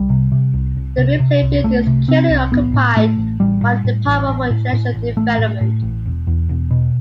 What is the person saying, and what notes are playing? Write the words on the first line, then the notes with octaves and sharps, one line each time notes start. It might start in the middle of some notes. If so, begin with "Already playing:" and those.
The Ripley Building is currently occupied by the Department for International Development.
Already playing: C2 G3
C3
C3
C2
C2
C3
C3
C2
C2 A3
C3
C3 C4
C2
A1 B3
A2
A2 A3
A1
A1 G3
A2
A2
A1
A1
A2
A2
A1
A1 A3
A2
A2
A1
E1
E2
E1
B2